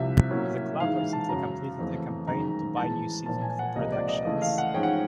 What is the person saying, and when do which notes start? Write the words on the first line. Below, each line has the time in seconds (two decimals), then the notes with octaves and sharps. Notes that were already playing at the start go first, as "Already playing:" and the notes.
The club recently completed a campaign to buy new seating for productions.
Already playing: C2 C3 F3 E5
0.30 A2 F#3 A#3 C#4
0.80 G#2 E3 G#3 F5
1.13 A5
1.29 F#2 C#3 F#3 A#5
1.79 F2 C#3 E3 A3
2.27 F#2 D#3 G#3 A#5
2.77 A2 E3 G#3 A5
3.26 A#2 F3 A#3 A5
3.42 G#5
3.59 F#5
3.75 C#2 C3 F3 A#3 D#5
3.92 D5
4.08 D#5
4.25 C#3 E3 A3 D#5
4.42 F5
4.58 F#5
4.74 G#2 F3 G#3 C#4 G5
4.83 F#5